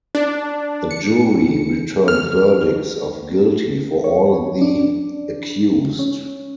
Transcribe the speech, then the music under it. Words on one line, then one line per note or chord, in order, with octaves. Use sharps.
The jury returned verdicts of guilty for all of the accused.
D4
C#7
F6
C#5
D4
C#4